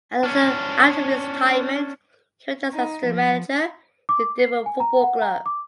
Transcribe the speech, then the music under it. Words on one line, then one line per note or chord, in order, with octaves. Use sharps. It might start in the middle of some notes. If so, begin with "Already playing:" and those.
After his retirement he worked as an assistant manager in the different football clubs.
C#4 D4
D#4
F3
D6
C7
G#5
A#5
F#5
A#5
D6